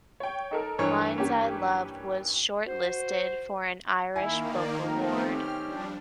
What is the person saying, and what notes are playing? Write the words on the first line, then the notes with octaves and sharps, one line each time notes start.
"Lines I Love" was shortlisted for an Irish Book Award.
C#5 G5
D#4 A4 A#4
G2 E3 C#5
A#3 C#4 G4
F#4 C5
D#3 A#3 E4 G#5
D5
D#3 A3 B3 C4 A#4
C4 C#4 G4 F6
F3 G3 D4